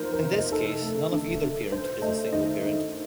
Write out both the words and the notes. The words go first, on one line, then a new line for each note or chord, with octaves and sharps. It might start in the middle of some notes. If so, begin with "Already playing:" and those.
In this case none of either parent is a single parent.
Already playing: F3 A#3 D#4 A#4 C5
A#4
C3
D#5
D#4 A4
A3
D3
D3
D4 C5
A3 D#5
D#3 D#5
D#3